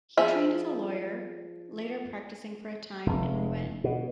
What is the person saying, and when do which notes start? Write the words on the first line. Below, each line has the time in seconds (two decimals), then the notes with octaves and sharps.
He trained as a lawyer, later practising for a time in Rouen.
0.17 F3 G#4 E5
3.06 F1
3.84 B2